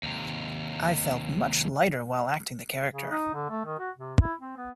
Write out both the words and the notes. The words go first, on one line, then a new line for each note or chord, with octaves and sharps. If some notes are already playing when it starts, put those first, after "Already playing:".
I felt much lighter while acting the character.
D#2 C3
C#3
D#4
D3
A3
D#3
F#4
C3
E4
C4
B3